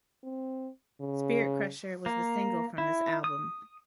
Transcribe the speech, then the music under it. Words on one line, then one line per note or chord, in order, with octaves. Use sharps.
"Spirit Crusher" was the single from this album.
C4
C#3
A#3
E4
D#6